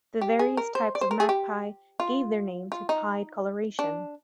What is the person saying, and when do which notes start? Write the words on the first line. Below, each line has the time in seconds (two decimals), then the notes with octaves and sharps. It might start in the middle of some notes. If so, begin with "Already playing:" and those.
The various types of magpie gave their name to pied coloration.
0.21 G4
0.39 G#4
0.57 A#4
0.75 C5
0.95 D5
1.01 C5
1.11 A#4
1.20 G#4
1.29 G4
2.00 F4
2.72 F4
2.89 D#4
3.79 D4